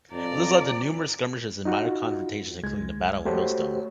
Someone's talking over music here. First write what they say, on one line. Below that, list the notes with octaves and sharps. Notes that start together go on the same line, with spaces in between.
This led to numerous skirmishes and minor confrontations including the Battle of Millstone.
F2 D5 A#5
D#4 F4 F#4
C#2 G#3 G#6
A3 F#4 G4 C5 C#5